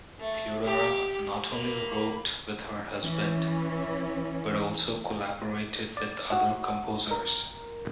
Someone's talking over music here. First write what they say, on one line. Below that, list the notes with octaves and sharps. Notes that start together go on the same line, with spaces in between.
Theodora not only wrote with her husband, but also collaborated with other composers.
A3
G4
A#3 B5
E3 C#4
D5
F#4
A#4